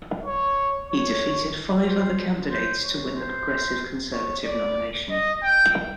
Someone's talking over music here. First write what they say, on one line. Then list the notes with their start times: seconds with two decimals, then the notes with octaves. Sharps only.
He defeated five other candidates to win the Progressive Conservative nomination.
0.25 C#5
0.89 C#5
1.86 C5
2.51 C5
2.83 C#5
3.16 C5
4.13 C#5
4.45 D5
5.10 D#5
5.43 G5